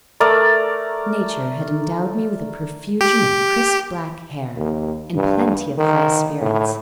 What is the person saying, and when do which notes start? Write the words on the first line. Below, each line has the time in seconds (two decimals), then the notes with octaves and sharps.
Nature had endowed me with a profusion of crisp black hair, and plenty of high spirits.
0.20 A3 A#4 D5
3.01 G4
4.56 D#2
5.14 G2
5.78 D#3
6.41 A2